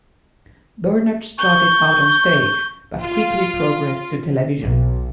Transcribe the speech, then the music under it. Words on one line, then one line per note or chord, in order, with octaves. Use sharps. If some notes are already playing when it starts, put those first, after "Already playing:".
Bernard started out on stage but quickly progressed to television.
C#6 G6
F4
B1